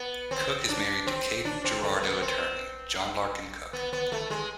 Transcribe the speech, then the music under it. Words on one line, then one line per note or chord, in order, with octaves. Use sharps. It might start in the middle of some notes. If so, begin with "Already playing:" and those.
Cook is married to Cape Girardeau attorney John Larkin Cook.
Already playing: B3
C4
D4
C4
D4
C4
A3
B3
C4
B3
B3
A3
G#3